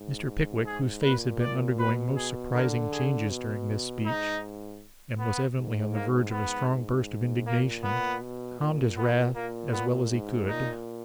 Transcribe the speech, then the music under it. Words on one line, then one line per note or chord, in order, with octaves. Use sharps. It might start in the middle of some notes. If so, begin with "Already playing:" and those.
Mr. Pickwick, whose face had been undergoing most surprising changes during this speech, and was evidently on the verge of a strong burst of indignation, calmed his wrath as well as he could.
Already playing: G#2
G#4
A#2 B4
D5
B2 B4
G#4
D3 A#4
G#4
B2
G#2 D#4
B3
G#2
A#3
G#2 B3
A#2 A#3
B3
B2
A#2
B3
A#2 A#3
B3
G#2
A#2 D#4